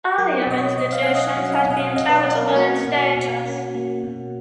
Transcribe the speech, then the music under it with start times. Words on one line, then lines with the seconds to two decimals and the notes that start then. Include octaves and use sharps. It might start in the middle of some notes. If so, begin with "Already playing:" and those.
Earlier institutions had been charitable in status.
0.18 F#3 A#4
0.47 B2 D#5
0.58 C#5
0.77 B2 D#5
0.93 F5
1.03 G#5
1.06 C#4 F#5
1.15 D#5
1.22 F5
1.37 F#3
1.52 F5
1.57 F#5
1.66 B2 D#5
1.77 F5
1.96 B2 D#5
2.09 B4
2.15 C#5
2.26 C#4
2.35 A#4
2.55 A#3 F#4
2.84 B2
3.15 B2
3.45 C#4
3.75 A#3
4.03 B2